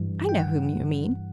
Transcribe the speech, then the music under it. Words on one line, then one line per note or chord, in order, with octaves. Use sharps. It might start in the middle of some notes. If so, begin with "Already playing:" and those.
I know whom you mean.
Already playing: G2 E3 G3
G5
F#5